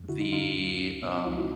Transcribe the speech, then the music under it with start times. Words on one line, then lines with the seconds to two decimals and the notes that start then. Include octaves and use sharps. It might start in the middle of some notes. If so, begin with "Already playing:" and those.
The um
Already playing: F2
0.09 D3 E4 F#4
0.20 D#4 F4
0.32 D3 D#4 F4
0.55 D2
0.79 D2
1.02 B2 B3
1.14 C4
1.25 C#2 D#4 F4
1.37 E4 F#4